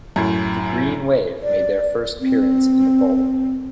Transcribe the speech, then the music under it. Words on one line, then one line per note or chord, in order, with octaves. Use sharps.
The Green Wave made their first appearance in the bowl.
F#2 A2
D5
C4